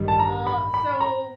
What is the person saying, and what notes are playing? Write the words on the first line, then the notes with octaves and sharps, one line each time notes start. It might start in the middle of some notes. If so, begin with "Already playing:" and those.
Uh, so
Already playing: A1 G2 D#3 G3
A5
A#5
B5
B5
A#5